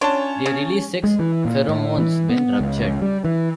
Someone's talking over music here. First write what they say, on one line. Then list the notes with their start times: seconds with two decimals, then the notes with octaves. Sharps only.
They release sex pheromones when ruptured.
0.01 C#4 D4 F4 C#5 A5
0.46 C#3
1.04 G#3
1.19 E3
1.45 A#2
1.69 A2
1.98 E3
2.30 B3
2.60 C#2
3.02 G3
3.25 E3